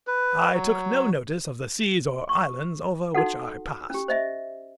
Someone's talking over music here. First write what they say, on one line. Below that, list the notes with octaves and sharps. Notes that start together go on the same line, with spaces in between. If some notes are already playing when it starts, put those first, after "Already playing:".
I took no notice of the seas or islands over which I passed.
B4
F#3
C#6
D#4 F#4 A4 F#5
C#4 G4
C5 D#5 E5